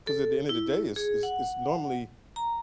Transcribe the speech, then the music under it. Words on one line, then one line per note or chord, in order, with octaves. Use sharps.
'Cause at the end of the day, it's it's it's normally
A4
E4
G#4
F#5
A#5